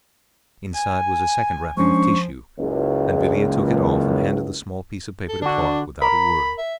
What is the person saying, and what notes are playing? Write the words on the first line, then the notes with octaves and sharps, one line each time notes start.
Inside was a second wrapping of tissue, and Villiers took it off and handed the small piece of paper to Clarke without a word.
G#5
F3 G#3 C#4 D4 C#6
F#1 C#2
A4
D3 D4 F#4
A#4 B5
E5